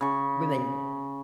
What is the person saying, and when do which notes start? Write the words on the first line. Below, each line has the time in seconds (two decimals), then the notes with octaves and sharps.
when they
0.01 C#3 C#6